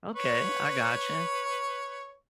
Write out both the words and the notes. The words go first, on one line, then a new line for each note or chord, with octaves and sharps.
Okay, I gotcha.
B4 C#5 C#6